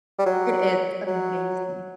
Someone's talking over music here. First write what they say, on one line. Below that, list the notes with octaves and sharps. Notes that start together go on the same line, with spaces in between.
It is, it's amazing.
G3
F#3
F#3